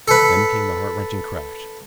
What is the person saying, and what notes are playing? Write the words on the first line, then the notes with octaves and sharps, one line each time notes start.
Then came the heart-rending crash.
A4 B4